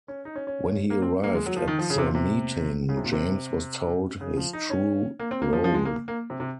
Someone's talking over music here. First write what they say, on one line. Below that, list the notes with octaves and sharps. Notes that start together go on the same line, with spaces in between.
When he arrived at the meeting, James was told his true role.
C#4
D#4
C#4
C#4
A#3
C4
A#3
G#3
F#3
F3
D#3
F3
C#3
C3
A#2
C3
C#3
C3
A#2
C3
C#3
F3
D#4
C#4
A#3
C4
A#3
F3
F3
G#3
A#3
A#3
C3
C3